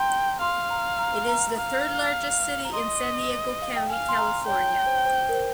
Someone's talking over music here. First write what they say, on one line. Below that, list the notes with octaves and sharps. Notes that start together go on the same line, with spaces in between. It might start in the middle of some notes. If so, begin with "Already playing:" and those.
It is the third-largest city in San Diego County, California.
Already playing: G5 A#5 C6
F5 C6
A#5
A#5
A#5
F5
A#5
D#5 C6
F5
G5
F5 G#5
C6
A#5
C#5 G5
C5
C5
A#4
C5